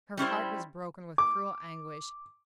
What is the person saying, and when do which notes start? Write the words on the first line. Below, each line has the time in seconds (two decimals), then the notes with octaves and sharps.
Her heart was broken with cruel anguish.
0.17 G3 C#4 E4 C5
1.18 D6